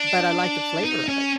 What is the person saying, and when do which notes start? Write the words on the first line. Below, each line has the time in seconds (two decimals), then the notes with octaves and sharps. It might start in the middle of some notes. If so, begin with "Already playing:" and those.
but I like the flavor of it,
Already playing: D4
0.84 D#4
1.09 C#4